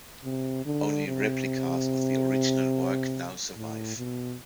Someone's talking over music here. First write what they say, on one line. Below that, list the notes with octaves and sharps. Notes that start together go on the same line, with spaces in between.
Only replicas of the original work now survive.
C3
D3
C3
A2
B2